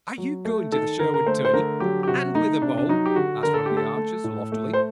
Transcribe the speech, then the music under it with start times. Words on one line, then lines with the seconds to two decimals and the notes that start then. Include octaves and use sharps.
"Are you going to the Sherwood tourney, and with a bow?" asked one of the archers, loftily.
0.18 F#3
0.45 A3
0.72 D#3 A4
0.99 D3 A#4
1.14 A#4
1.26 A3 C5
1.45 C5
1.54 D3 A#4
1.80 F#3 G4
2.03 G4
2.07 C3 F#4
2.35 A3 D#4
2.62 C3 D4
2.78 D4
2.89 F#3 D#4
3.06 G4
3.16 D3 F#4
3.43 D3 A#4
3.54 A4
3.66 A3 G4
3.77 A4
3.97 A3
4.24 A2
4.52 A3
4.73 C5